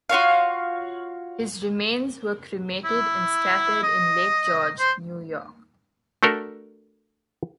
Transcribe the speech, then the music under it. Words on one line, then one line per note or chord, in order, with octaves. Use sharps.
His remains were cremated and scattered in Lake George, New York.
F4 F#4 C#5 F5
E4
D#5
C5
A3 D4 F#4 A4 A#4